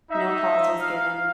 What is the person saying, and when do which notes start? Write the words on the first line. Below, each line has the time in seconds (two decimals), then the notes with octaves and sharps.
No cause was given.
0.10 D#4 E5
0.80 F5